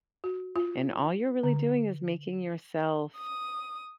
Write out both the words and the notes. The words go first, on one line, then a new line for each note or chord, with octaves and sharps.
and all you're really doing is making yourself
F#4
F4
D3
D#6